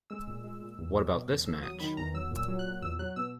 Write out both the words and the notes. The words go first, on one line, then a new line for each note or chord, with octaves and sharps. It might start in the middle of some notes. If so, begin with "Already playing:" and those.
What about this match?
G#3 E6
A#2
G#3
A#2
E2
F#3
B2
E2
E2 E6
F#3 D#6
D#3 B5
E2 A#5
F#3 E6
A#2
E6
F#3
F#6
A#2
E2 E6
F#3 F#6
B2 E6